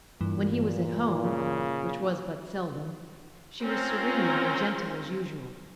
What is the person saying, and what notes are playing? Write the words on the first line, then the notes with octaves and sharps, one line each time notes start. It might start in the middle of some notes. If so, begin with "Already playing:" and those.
When he was at home, which was but seldom, she was serene and gentle as usual.
G2 A#2 E3
C#3
C4 C#4 F4 A#4